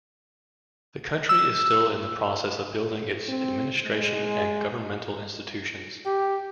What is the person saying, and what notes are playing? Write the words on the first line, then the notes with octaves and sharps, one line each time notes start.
The country is still in the process of building its administration and governmental institutions.
E6
C4
G#3
G4